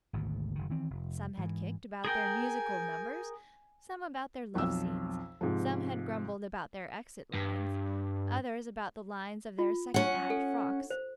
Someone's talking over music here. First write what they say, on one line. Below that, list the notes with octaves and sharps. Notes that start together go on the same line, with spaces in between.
Some had kicked about their musical numbers, some about their love-scenes; some had grumbled about their exit lines, others about the lines of their second-act frocks.
G#1 D2 G#2 B2
F#1 D#3
D#3 E3 C4
F1
G#2 E3
G#4 A#4 G5 G#5
B1 F2 E6
G#2 C3 F3
G2
F4
C#4 F#5
A4
C5